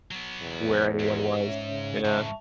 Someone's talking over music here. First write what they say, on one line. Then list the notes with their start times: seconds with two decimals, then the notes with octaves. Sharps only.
where anyone was. Yeah.
0.11 F#3 B3
0.41 E2
0.99 G#2 G4 G#4 B4
1.39 C#4 C#5 E5
1.70 C#3
2.05 G#2 E3 E5 A5 C#6